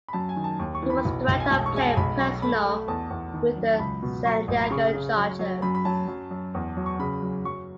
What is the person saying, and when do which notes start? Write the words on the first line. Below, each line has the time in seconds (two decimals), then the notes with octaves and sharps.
He was the director of player personnel with the San Diego Chargers.
0.08 B5
0.13 F#2 A5
0.29 G#5
0.36 D#3
0.44 A5
0.59 D#2
0.75 C#6
0.82 E3
0.90 B5
1.05 B1
1.28 B1
1.40 G#5
1.51 E1 A5
1.66 C#6
1.74 G#3 G#5
1.81 A5
1.97 B1 B5
2.19 F#3 C#6
2.42 A3 B5
2.65 A3
2.88 E2 A5
3.10 E2
3.34 D#3
3.56 F#2
3.74 A5
3.79 C#2 B5
4.03 B2
4.25 F#3 C#6
4.48 A1
4.60 B5
4.70 C#3 C#6
4.94 C#3
5.17 F#3
5.39 F#3
5.62 F#2 B5
5.75 B5
5.85 F#3 A5
6.08 F#2
6.31 F#2
6.54 E2
6.77 F#3
6.86 C#6
6.99 C#3 B5
7.22 F#2
7.45 F#3 C#6